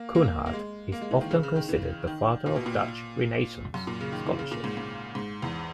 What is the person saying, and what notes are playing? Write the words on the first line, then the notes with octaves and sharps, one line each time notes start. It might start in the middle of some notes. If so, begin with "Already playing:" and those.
Coornhert is often considered the Father of Dutch Renaissance scholarship.
Already playing: A#3
A#3
A#3
G#3
A#3
G#3
E3
D#3
C#3
C#3
D#3
E3
D#3
A#2
B2
A#2
F#2
A#2
C#3
D#3
E3
C#3
A#2
G#2
G#2
G#2
E2